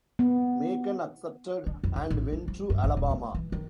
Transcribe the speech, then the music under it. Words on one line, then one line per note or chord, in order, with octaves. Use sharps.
Macon accepted and went to Alabama.
B3
D3
F2
C#3
A1
A3
F3
G2
G#1
D#1
A3
E3
D#3